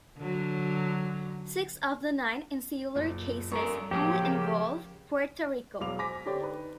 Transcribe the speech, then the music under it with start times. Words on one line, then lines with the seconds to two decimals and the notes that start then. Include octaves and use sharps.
Six of the nine Insular Cases only involve Puerto Rico.
0.17 D3 F#3
2.95 F#1 A#2
3.52 G2 A4 A#4 A#5 C#6
3.91 D1 F3 A#3 G4 C#5
4.22 C#3 A#4 E7
5.80 E1 E2 F#3 F5 D6 F7
5.99 C5 G#5 D6 A#6 B6
6.25 D3 C4 D4 G4 C#5 D5
6.42 D#4 B4